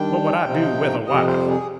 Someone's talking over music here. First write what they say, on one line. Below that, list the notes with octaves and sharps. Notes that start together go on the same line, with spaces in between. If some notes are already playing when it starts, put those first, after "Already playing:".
What would I do with a wife?
Already playing: D#3 G3 D4 G5
C3 F3 C4 D#4
F2 C3 G3 D#5
C5
G#4